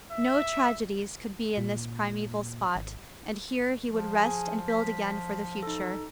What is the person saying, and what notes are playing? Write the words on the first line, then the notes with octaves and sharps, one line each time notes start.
No tragedies could be in this primeval spot, and here he would rest and build again for the future.
E5
A#2
G#1
F3
G#4 G#5
B6
D#4 A4